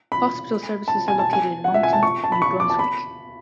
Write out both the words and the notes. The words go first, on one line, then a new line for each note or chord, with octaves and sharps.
Hospital services are located in Moncton, New Brunswick.
B5
A5
G#5
A5
G#5
F#5
E5
G#5
A5
C#6
A5
B5
C#6
D6
A5
B5